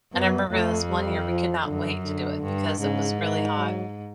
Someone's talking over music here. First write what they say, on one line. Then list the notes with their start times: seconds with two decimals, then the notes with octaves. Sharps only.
And I remember this one year, we could not wait to do it because it was really hot,
0.14 F#2 B3
0.51 F2 A3
0.90 G3
1.28 F3
1.66 F#2 D3
2.04 D3
2.43 G2
2.80 G#2 C#3
3.19 D#3
3.57 F#3